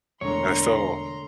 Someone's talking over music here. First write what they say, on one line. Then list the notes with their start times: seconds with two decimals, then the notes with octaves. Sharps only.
and so
0.21 E1 D3 A3 C#5 A#5 C6